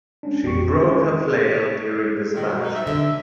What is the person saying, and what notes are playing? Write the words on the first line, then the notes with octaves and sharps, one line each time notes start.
She broke her flail during this banishing.
G#3 C#4 D4
A1 F2 G4 C#6
D3 C4 D#4
G#3 C#4 G#4
A#2 D#3
B2
D#4
E5
D3